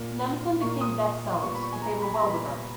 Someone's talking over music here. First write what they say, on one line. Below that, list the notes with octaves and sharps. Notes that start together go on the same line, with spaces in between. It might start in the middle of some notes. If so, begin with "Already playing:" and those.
None of them became best sellers but they were well regarded.
Already playing: A#2 A#3
A#2 A#3 C#6
D#6
A#2 G3 B3 C#6
B5
C#6
G#5
A#5
B5
A#5
A#2 G3 B3
B5